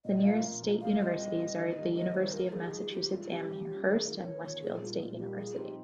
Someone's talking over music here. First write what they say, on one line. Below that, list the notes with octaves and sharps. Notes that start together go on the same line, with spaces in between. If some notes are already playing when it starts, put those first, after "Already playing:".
The nearest state universities are the University of Massachusetts Amherst and Westfield State University.
A#2 D#5
F3 A#3 F4 F5
A#2
F3 A#3 F4
G3 F5
C4 F4 D#5
G3
C4 F4
D#3
G3 A#3
D#3 D#5
G3 A#3 C5
F3 A#4
G#3 D#4 G#4
G4
F3 G#4
G#3 D#4 G4
G3 F4
C#4 F4 G4
G3
C#4 F4
D#3 G#4
A#3 F4 A#4
D#3 C#5
A#3 F4 C#5
A#2 G#4
G3 A#3 D#4 F4
A#2 F4
G3 A#3 D#4 G4
F3 G#4
C4 D#4 G4